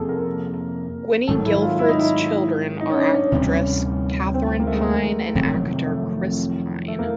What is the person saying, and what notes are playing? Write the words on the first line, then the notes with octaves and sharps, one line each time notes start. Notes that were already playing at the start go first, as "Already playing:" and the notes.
Gwynne Gilford's children are actress Katherine Pine and actor Chris Pine.
Already playing: F2 C3 F3 A#3 G#4 A4
A#4
G#2 D#3 F#3 A4
E4
F4
E4
D#4
E4
D#4
C#4
D4
C#4
D2 C3 E3 G3 C#4
C4
C4
A#3
A3
G#3
A#3
F2 C3 D#3 F#3
A3
A3
A#3